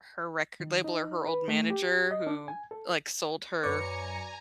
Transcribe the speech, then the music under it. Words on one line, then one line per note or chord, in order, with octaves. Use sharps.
her record label or her old manager who, like, sold her
D#3
D#4
B4
A3
G4
D#5
D4
G#5
A4
F#2 B4 C#5 D5 G#5 A#5 C#7